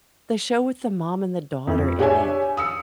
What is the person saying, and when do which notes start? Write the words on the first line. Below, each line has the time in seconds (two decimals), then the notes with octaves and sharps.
the show with the mom and the daughter in it.
1.67 F2
1.99 D4 G4 G#4 C#5 E5 G#5
2.57 D#6 E6 C#7